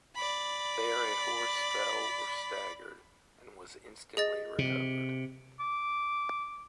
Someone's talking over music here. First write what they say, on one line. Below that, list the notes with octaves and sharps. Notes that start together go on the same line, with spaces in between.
There a horse fell or staggered, and was instantly recovered.
D5 B5
G#4 D#5 A6
C3
D6